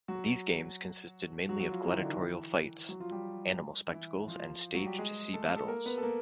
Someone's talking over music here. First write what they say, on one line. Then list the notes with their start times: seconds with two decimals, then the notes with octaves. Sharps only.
These games consisted mainly of gladiatorial fights, animal spectacles and staged sea battles.
0.08 F#3 F#4
1.49 F#3 F#4
1.60 F#3 F#4
1.72 F3 F4
1.84 E3 E4
1.93 D#3 D#4
2.01 D3 D4
2.09 D#3 D#4
2.18 E3 E4
2.88 F#3 F#4
3.00 F3 F4
3.11 G3 G4
3.93 E3 E4
4.28 F3 F4
4.74 F#3 F#4
4.86 G3 G4
4.98 G#3 G#4
5.34 A3 A4
5.56 A4
5.68 A#3 A#4
5.85 B3 B4
5.98 A4
6.03 A#3 A#4